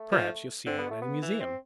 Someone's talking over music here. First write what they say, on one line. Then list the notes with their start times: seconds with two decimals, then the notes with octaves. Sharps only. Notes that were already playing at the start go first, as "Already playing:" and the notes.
Perhaps you have seen one in a museum.
Already playing: A3
0.12 F3
0.67 D3 C4
0.78 B3
0.91 A3
1.01 B3
1.22 E3
1.40 C4